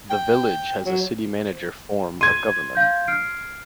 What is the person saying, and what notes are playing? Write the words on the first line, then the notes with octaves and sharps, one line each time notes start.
The Village has a City Manager form of government.
G5
F#3
C6 G#6 D#7
F5 G6
F6 C7 D7